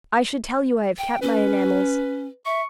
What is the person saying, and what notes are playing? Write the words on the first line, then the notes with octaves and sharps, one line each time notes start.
I should tell you I have kept my enamels.
G5
C#4 B4
E5 C#6